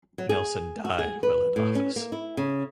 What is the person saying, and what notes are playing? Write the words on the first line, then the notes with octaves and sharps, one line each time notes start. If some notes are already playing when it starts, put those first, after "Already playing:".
Nelson died while in office.
F#3
G#4
F#4
G#4
B4
A2
C#4
A#3
E4
C#3